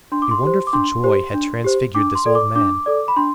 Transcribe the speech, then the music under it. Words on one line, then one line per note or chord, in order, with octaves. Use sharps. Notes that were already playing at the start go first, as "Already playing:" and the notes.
A wonderful joy had transfigured this old man.
D4 C6
D6
C6
G4 C5
D6
D4 C6
G4 C5
D4
G4 C5
D4 D6
C6
A4 D5
D6
D4 D6
A4 D5
B5
D4 C6